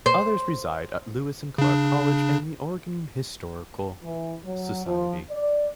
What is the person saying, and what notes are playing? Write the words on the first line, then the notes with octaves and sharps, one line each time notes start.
Others reside at Lewis and Clark College and the Oregon Historical Society.
C5
C#3 D4
E3
F#3
F3
D5